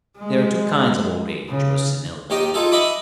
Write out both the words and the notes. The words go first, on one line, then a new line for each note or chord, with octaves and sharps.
There are two kinds of old age or senility.
G#3
C#3
D#2 D#4 G4 D#5
D#4 F4 G#4 A4
D#5 E5 F#5 B5 D6 D#6